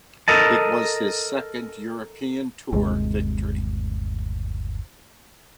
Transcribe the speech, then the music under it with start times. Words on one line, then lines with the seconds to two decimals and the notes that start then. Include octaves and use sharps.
It was his second European Tour victory.
0.28 A4 A#4 D#5 A5
2.72 G1 D#2 C3 G#3